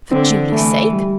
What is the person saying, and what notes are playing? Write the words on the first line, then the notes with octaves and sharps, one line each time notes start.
"For Julie's sake!"
D3 C4
E3 A3
G3